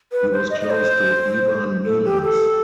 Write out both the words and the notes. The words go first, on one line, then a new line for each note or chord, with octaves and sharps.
He was close to Ivan Milas.
B4
C5
D#5
D#5
C5
A4
G4
A4